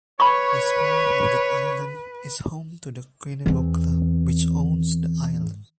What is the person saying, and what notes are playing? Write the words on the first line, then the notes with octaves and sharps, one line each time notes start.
This small wooded Island is home to the Quinnebog Club, which owns the island.
B4 C#5 B5 C#6
E2 C4